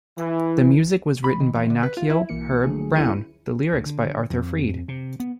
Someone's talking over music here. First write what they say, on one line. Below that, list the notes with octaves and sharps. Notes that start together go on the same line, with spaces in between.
The music was written by Nacio Herb Brown, the lyrics by Arthur Freed.
E3
B5
D#3
E2
D3
B4
F4
E4
B1 E3 A#3 C#7
D3 F3 F#3 A3 G#4
D2 C#4 E4 B4 C#7 D#7
D2
D3
F2
C3
B3